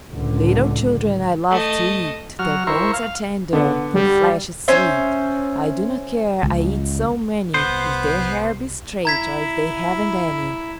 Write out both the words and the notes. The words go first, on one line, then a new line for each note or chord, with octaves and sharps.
"Little children I love to eat; Their bones are tender, their flesh is sweet. I do not care, I eat so many, If their hair be straight, or if they haven't any."
C#2 A2 D3
A3 D#5
F#3 F6
E4 A#4 C5 C#6
F5
D3 B3
G3
C#4 C5 E5
C#2
C2 B3 C5
E4 A#5 G#6 B6